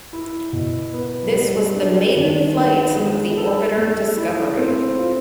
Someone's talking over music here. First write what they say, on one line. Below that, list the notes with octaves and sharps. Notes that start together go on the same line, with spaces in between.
This was the maiden flight of the orbiter "Discovery".
E4
B2
B3
G3
D4
D#3
B3
G#3
A4
A3
E4
C4
F4